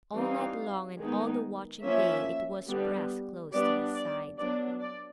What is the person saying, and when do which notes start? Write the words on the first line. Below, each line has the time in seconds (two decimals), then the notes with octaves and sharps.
All night long and all the watching day it was pressed close to his side.
0.13 E3 G3 C4 D#4 F5
0.98 D#3 G#3 B3 D#4
1.84 F3 A#3 C#4 E5
2.68 D3 G3 B3
3.53 G3 B3 D4 D5
3.96 D5
4.38 F#3 B3 D4 D5
4.80 D5